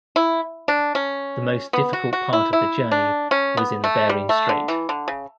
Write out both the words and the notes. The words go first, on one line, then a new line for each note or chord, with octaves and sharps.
The most difficult part of the journey was in the Bering Strait.
E4
D4
C#4
B3
F#4
F#4
E4
E4
D4
C#4
B3
A3
G3
A3
D3
E3
D3
C#3